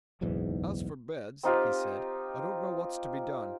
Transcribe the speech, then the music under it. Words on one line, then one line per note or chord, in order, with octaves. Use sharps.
As for beds', he said, 'I don't know what's to be done.
F#1 B1 E2 G#2
C4 D#4 F4 G4